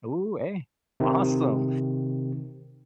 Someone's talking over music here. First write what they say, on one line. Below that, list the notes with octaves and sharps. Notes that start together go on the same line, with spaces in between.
Ooh, hey. Awesome.
C3 D#3